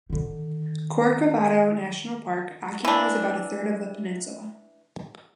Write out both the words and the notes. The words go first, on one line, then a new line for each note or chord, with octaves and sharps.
Corcovado National Park occupies about a third of the peninsula.
D3 D#3
E3 D4